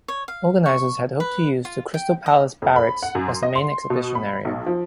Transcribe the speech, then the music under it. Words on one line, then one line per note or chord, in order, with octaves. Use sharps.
Organizers had hoped to use the Crystal Palace Barracks as the main exhibition area.
C#5
F5
C#6
B4
F4
G5
D#5
F2
B5
F#5
F#2
C6
D#5
C6
B2
B5
B1
F3